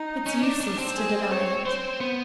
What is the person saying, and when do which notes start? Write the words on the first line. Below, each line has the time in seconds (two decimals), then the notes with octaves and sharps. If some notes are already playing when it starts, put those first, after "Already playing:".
It's useless to deny it.
Already playing: D#4
0.26 C#4
0.43 D4
0.61 D4
0.78 C4
0.96 G#4
1.31 C#5
1.66 C4 C5
2.00 B3